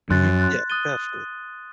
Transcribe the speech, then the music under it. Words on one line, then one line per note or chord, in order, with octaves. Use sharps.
Mhm, yeah, definitely.
F#2 C6 F#6 A6
C6 F#6 A6
D#6 F#6 A6 D#7 G7